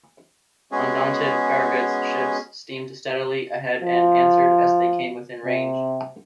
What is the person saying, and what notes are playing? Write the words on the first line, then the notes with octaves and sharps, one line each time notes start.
Undaunted Farragut's ships steamed steadily ahead and answered as they came within range.
G#3 B3 C#4 F#4 G#4
F3
C3